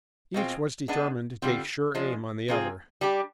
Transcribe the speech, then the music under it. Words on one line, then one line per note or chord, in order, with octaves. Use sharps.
Each was determined to take sure aim on the other.
B2 G#3 C4 F4
G#3 B3 D4
D3 G3 C4 F4
F3 G#3 D4
C3 F3 C4 F4 G#4
G3 D4 G4